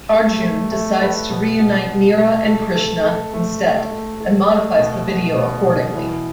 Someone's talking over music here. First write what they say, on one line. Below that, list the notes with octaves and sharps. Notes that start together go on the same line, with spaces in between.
Arjun decides to reunite Meera and Krishna instead and modifies the video accordingly.
A3
A3
A3
B4
B2
B2
B2
A3
A4
A4
A4
A3
A3
A3
A4
A3
B2
B2
B2
B2
E3